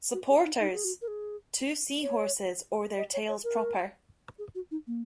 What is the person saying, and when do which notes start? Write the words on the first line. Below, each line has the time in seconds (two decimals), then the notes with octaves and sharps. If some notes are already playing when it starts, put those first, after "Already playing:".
"Supporters": Two Seahorses Or their Tails Proper.
0.13 F#4
0.29 G#4
0.45 D#4
0.60 D#4
0.73 G#4
0.85 F#4
1.02 A#4
1.08 G#4
2.02 C#5
2.98 D#5
3.13 C#5
3.28 C#5
3.44 A#4
4.39 G#4
4.55 F#4
4.71 D#4
4.87 A#3